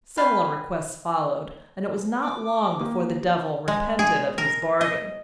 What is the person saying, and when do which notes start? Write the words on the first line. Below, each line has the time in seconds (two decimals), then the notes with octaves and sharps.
Similar requests followed, and it was not long before the devil repented of his bargain.
0.17 B4 F5 G5 G#5
2.22 D6
2.81 A#3 G4
3.68 G#3
3.99 G#4
4.38 A#4
4.81 D#5